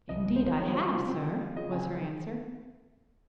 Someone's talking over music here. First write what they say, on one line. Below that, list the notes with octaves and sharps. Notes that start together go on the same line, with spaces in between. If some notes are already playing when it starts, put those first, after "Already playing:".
"Indeed I have, sir," was her answer.
C2 D#5
C2
C5
F3
C5
G3 C#5
F4 C5
C3
C4
F3
F4
C#3 D#5
C4 G#5